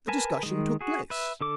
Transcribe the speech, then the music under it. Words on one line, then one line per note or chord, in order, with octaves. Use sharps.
The discussion took place.
A#4 B4 G#5 A5
D#3 G#3
F#4 G#4
B4 E5
D3 A4 D6